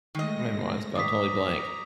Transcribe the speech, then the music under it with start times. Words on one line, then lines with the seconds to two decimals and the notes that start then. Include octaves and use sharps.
my mind's gone totally blank.
0.15 D#3 G#3 A3 D#5 A#6
0.95 D#3 A#5 D6 D#6 B6